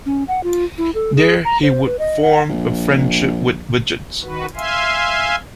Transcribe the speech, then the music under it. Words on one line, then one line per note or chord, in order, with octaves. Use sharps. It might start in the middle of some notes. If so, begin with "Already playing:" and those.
There he would form a friendship with Widget.
C#4
F#5
F4
E4
A4
G#4
A#5
C5
B4
D#5
F#5
A#1
D#3 F#4 B4
E5 F5 G#5 C6